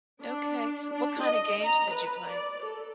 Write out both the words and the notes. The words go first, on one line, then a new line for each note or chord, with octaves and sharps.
Okay. What kinda games did you play?
D4
D4
D#5
A#5
B4
D5
A4